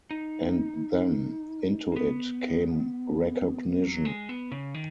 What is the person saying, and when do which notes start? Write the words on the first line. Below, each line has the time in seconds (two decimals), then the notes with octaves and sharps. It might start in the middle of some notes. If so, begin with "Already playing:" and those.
And then into it came recognition.
0.11 D#4
1.92 A#3
1.96 B3
3.82 F#3
4.05 G#3
4.29 B3
4.52 C#3
4.74 D#3